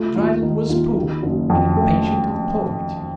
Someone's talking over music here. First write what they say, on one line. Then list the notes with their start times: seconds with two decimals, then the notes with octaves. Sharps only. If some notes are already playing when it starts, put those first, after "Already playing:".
Dryden was poor and impatient of poverty.
Already playing: A3 F4
0.16 D#2 F4
0.42 D#3 D#4
0.69 D#2 F4
0.96 D#3
1.23 F#1
1.50 F2
1.76 A3